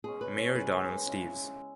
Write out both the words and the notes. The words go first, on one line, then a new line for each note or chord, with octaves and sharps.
Mayor Donald Steeves.
B2 G#3 C#4 G#4
B4
C#5
C#3 G#3 C#4 B4
C#3 G#3 E4